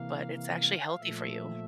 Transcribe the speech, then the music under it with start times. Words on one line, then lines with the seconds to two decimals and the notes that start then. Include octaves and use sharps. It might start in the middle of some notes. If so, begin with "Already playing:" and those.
but it's actually healthy for you.
Already playing: C3 E3 A#3 F5
0.35 F5
0.99 A#2 F3 A3 E5